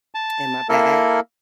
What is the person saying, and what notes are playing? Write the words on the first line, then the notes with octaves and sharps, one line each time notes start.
in my bag,
A5
A#3 E4 A4 A#4